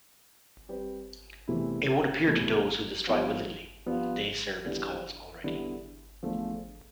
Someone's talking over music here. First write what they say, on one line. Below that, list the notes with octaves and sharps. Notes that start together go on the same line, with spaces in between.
It won't appear to those who destroy willingly - they serve its cause already.
G3 C4 G4 B4
E2 C3 E3 A3 E4
E2 C3 E3 A3 E4
G2 F3 B3 F4
G2 F3 B3 F4
E2 D3 G3 B3 E4
E2 D3 G3 B3 E4
E2 D3 F3 A3